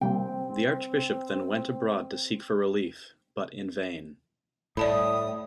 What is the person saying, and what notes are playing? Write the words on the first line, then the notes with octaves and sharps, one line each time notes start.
The archbishop then went abroad to seek for relief, but in vain.
C3 G3 A#3 C4 G5
A2 G3 D5 A5 B5 D#6